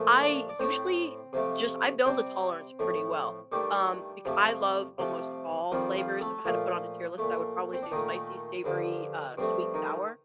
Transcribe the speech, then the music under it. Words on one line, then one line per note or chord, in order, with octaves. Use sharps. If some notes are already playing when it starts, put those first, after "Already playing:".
I usually just I build a tolerance pretty well, um, becau I love almost all flavors, if I had to put on a tier list, I would probably say spicy, savory, uh, sweet, sour?
Already playing: A#2 F3 A3
D4 D5
D5
A2 A3 C4 C5
C3 F3 A3
C3 G3 C4 C5
A2 F3 A3
G2 D#3 G3 A3 G4
F2 C3 F3 A3
C3 F3 A3
F2 D#3 F3 G3 F4
F3 F4
A3 A4
A#2 F3 A3 F4
A#2 A3
C4
D4
A#2 D#3 A3 D#4
G2 D3 F3
G2 F3 A3 C4
D#3 D#4